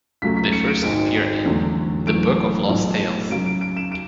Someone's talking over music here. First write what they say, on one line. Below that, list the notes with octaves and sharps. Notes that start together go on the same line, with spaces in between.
They first appear in "The Book of Lost Tales".
C#2 C#3 F#3 A3 B6
B6
C#7
D7
G#1 G#2 G#3 D7
E2 D3 F#3 A3
F#1 F#2 E3 A3 D7
B1 A2 G#3
F#2 C#3 F#3 D7
D7
D7
E7
D7